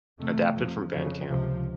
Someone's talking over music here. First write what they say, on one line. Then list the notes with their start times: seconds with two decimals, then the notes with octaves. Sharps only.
Adapted from Bandcamp.
0.19 F2 C3 A3
0.55 F2 C3 F3
0.91 F2 C#3 F3
1.28 C#2 C3 F3